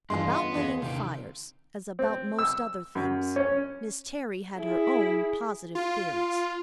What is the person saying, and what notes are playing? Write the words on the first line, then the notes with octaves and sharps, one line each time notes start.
About laying fires, as about most other things, Miss Terry had her own positive theories.
G2 E3 G#3 D4 F4 D#5 C6
B3
D#2 G#4 C#5 D#5
C3 D#3 F5 G5
C4
E6
F#2
C#4
E4 G#4
F4